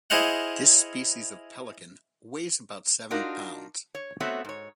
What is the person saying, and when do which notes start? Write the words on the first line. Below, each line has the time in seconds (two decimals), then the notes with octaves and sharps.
This species of pelican weighs about seven pounds.
0.10 E4 G#4 C5 D#5 F5 F#5
3.11 D4 D#4 F4 F#4 A#4
3.95 C#5
4.20 A3 B3 C4 F#4 C#5 E5
4.45 G#2 C#5